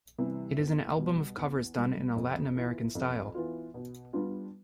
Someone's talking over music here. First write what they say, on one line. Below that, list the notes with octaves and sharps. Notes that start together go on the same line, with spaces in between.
It is an album of covers done in a Latin American style.
C3 E3 G3
E2
B2 G3
E2
B2 G3
F2
E3 B3 F4
F2
E3 B3 F4
B2
G3 B3 D4 F4